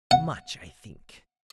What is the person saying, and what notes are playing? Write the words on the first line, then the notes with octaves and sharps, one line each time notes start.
Much, I think.
F#5